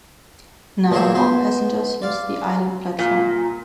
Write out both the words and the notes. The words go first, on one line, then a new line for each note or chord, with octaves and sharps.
Now all passengers use the island platform.
A#2 E3 F#3 G#4 C5 E5
B3 C5
D5 F5
A#2